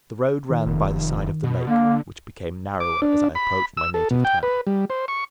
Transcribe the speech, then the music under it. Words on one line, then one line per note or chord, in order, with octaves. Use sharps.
The road ran by the side of the lake, which became narrower as I approached my native town.
D#3
F1
B2
D3 A#3
D6
D4
B5
E6
A4
B2
G5
B4
G3
C5
C#6